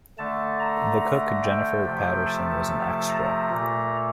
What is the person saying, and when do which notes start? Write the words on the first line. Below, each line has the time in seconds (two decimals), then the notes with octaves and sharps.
The cook Jennifer Paterson was an extra.
0.18 D3 A3 A5
0.60 A#5
1.01 A#5
1.43 G5
1.85 C3 F3 A3
2.26 A5
3.10 A#5
3.50 A#2 A3